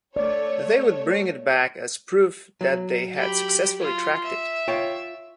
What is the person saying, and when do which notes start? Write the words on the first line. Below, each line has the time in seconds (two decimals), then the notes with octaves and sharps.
They would bring it back as proof that they had successfully tracked it.
0.16 A3 C#5 D5
2.61 F#3
3.16 G4 B5
3.79 F4
4.23 E5
4.68 F4 C#5 G5